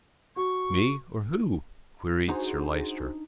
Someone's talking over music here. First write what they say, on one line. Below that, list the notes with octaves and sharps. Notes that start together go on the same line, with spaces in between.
"Me or who?" queried Sir Lyster.
F#4 C#6
D4 D#4 F#4 G#4 C5 A#5